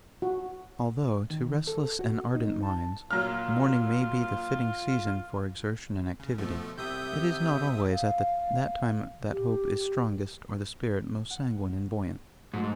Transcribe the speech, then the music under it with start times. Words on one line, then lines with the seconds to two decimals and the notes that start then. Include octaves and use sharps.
Although, to restless and ardent minds, morning may be the fitting season for exertion and activity, it is not always at that time that hope is strongest or the spirit most sanguine and buoyant.
0.22 F#4
1.30 D#3
1.67 A4
1.99 F#4
2.35 D#4
2.63 A5
3.11 A#2 F#3 F4 F6
6.20 C#3
6.38 B2 F3 A3
6.78 C2 C3 E5 D#6 G6
7.90 F5
9.30 G4
11.30 F#5
12.54 G#2 F#3 A3 F#4